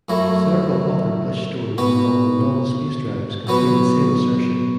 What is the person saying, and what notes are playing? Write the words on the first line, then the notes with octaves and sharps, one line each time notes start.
Several other Blish stories involving novel space drives contain the same assertion.
F#2 F#3 A3 E4
B2 B3 F#4 B4
B2 F#3 B3 F#4 B4